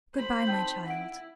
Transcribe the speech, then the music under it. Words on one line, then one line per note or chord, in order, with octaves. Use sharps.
"Good-bye, my child."
C5 B5
C4 D#4 G5 A5 G6
E4 F#5 D7